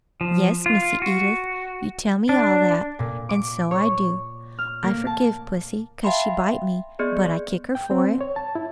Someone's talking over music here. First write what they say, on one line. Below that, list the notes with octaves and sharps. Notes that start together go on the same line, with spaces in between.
"Yes, Missy Edith, you tell me all that, and so I do; I forgive pussy 'cause she bite me, but I kick her for it."
F3
F4
F#4
D4
A#2
D6
C#5
F6
A#3
A5
E5 F5 G5 A5 B5 C6
B3 G#4 D5 D#5
G5
C4
C#5
A5
E4